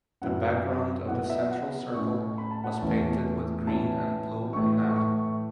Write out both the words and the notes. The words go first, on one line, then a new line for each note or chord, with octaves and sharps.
The background of the central circle was painted with green and blue enamel.
F#2 F#3 B3 E4 F#5
B2 B3 E4 F#5
E5
F#5
A2 A3 C#4 E4 C#6
B5
A5
F#5
E2 E3 A3 C#4 E4 A5
A2 E3 C#4 E4 A5
A2 E3 A3 E4 C#6
C#6